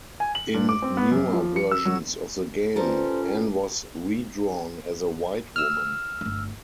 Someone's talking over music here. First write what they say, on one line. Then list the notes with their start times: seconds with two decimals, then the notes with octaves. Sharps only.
In newer versions of the game, Anne was redrawn as a white woman.
0.20 G#5
0.35 F#7
0.54 G2
0.69 D6
0.82 C4
0.97 B3
1.11 F#2
1.33 F3
1.56 C#7
1.71 E6
1.85 F#3
2.76 G2 C#4 F4 A4 A#4 C5
5.56 E6 F6
6.21 G1 A3